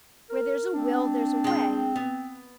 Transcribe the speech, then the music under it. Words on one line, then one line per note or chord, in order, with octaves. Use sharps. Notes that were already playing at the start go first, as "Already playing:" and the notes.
Where there's a will, there's a way.
A#4
C4 D4
G#3 G5
B3